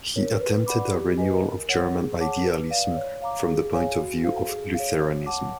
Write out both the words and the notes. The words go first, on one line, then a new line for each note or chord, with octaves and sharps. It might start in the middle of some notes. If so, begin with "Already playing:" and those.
He attempted a renewal of German idealism, from the point of view of Lutheranism.
A#4 C#5
B4
D5 F#5 B5 D6
G4
B4 D#5 G#5
A#4
C#5 F#5
G#4
C#5 F#5 A5 D6
B4
D5 F5
C#5
F5 A#5 D6
G#4
C#5 F5 G#5
F#4
A4 C5 F5
G#4
F5
C#5
C#5
F#5 A5 D6